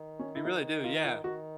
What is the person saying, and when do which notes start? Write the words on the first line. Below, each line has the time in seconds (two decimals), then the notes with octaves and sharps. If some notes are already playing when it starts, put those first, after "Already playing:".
You really do, yeah.
Already playing: D#3
0.19 C#4
0.35 E4
0.45 D#4
0.84 F4
1.04 F4
1.24 D#3 F#4